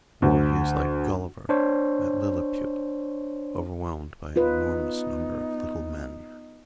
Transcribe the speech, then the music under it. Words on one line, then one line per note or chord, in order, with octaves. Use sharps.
Or he is like Gulliver at Lilliput, overwhelmed by an enormous number of little men.
D2
D4 C5 C#5
B3 D#4 F4 B4